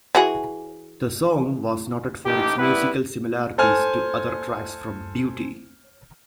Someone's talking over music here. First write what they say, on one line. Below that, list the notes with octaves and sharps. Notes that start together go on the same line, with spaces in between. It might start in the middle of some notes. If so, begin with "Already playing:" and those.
The song was noted for its musical similarities to other tracks from "Duty".
E3 F#4 G#4
A1 D#4 G4
C2 G3 B3 E4 B4
A4 C5 G#5 F6